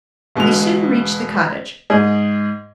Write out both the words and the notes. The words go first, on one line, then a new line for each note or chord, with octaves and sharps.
They soon reached the cottage.
E1 B2 D3 G#3 F7
G#2 G#4 D#5